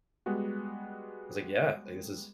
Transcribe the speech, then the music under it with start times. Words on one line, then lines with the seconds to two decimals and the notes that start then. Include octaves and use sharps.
was like, "Yeah, like, this is"
0.26 G3 G#3 B3 F#4